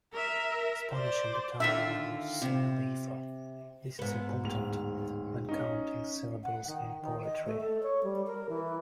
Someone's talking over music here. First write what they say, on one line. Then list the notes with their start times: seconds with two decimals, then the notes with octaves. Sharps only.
Spanish and Italian use synalepha; this is important when counting syllables in poetry.
0.13 A#4 E5
0.92 C5 D5
1.60 D3 D#3 F4 E5
2.42 C3
3.99 G#2 B3
4.43 D1 F7
5.49 C#4 D#4
6.44 F#5
6.67 D#3
7.01 D#3
7.24 D#5
7.46 A3
7.60 A4
7.83 C#5
8.03 G3
8.27 A#4
8.49 E3